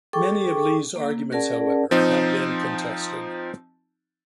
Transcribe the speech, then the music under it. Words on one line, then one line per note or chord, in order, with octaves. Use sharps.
Many of Lee's arguments, however, have been contested.
G#4 A4 G5 C#6 D6
A#3
C#4 G#4 A#4 D5 F#5 A5
F3 C4 D#4